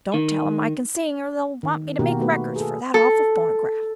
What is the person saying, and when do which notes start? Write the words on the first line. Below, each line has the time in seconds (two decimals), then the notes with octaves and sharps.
Don't tell 'em I can sing, or they'd want me to make records for that awful phonograph.
0.14 D#3
1.63 D#3
1.99 B2 D#3 A#3 F#4 G4 A#4
2.20 A3 B3 F#4 B4
2.56 G#4 A4
2.94 A4